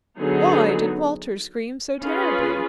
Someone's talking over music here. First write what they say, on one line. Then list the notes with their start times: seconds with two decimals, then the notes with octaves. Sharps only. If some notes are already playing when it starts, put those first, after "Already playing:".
'Why did Walter scream so terribly?'
0.18 D3 F#3 B3 D#4 G#4
2.01 C#4 F4 G#4 B4